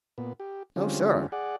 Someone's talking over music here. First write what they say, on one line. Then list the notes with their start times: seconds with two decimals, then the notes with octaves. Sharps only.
"No, sir."
0.18 A#2 B3
0.40 G4
0.76 D3 G3 G#3 C4 C#4 F4
1.32 G#4 D5 F#5